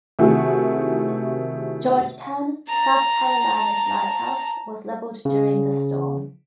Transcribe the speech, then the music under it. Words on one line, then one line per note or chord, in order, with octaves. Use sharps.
Georgetown, South Carolina's lighthouse was leveled during the storm.
C3 D#3 A3 E4 F#4 G#4
A5 A#5
C#3